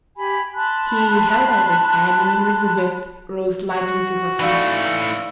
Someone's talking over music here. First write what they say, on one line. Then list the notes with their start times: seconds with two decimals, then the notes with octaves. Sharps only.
He held out his hand and Elizabeth rose lightly to her feet.
0.17 G4 G#5 B5
0.54 A5 B5 C6 F#6
3.71 F#4
4.40 E3 A3 D#4 D5 F5